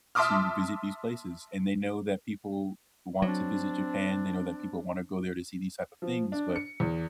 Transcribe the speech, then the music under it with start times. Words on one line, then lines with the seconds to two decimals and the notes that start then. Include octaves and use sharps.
to visit these places, and they know that people want to visit Japan, they know that people wanna go there to see these type of things, but
0.15 E5 A5 C6 D6 D#6 F6
3.22 F#3 C4 D4
6.02 F3
6.32 D4
6.56 C#7
6.80 E2